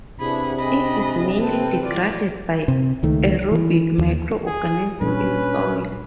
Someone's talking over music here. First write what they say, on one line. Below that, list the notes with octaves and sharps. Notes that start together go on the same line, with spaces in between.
It is mainly degraded by aerobic microorganisms in soils.
C3 B3 D4 E4 G#4 B5
C4 D4 G#4 D#5 B5
C4 A4 B4 G5
A#2 E3 F4 D5
C3
C#2 D#3 A3
E3
D#2
G#4
A#2 G3 C#4 D4 B4